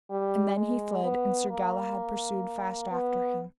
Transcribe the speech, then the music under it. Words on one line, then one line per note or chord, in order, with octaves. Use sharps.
And then he fled, and Sir Galahad pursued fast after him.
G3
G#3
B3
A#3
B3